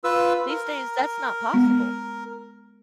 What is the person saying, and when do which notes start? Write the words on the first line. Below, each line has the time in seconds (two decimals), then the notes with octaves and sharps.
These days, that's not possible.
0.04 F4 B4 E6
0.50 A#4
1.53 G#3 B3